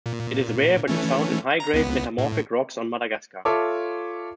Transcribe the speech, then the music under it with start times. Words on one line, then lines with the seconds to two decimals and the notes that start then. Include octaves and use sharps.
It is rare, but is found in high-grade metamorphic rocks on Madagascar.
0.06 A#2
0.88 E3 A3 C#4
1.60 A#5
1.74 C#2 B3
2.18 A2
3.45 F4 A4 C#5 E5 A5 D6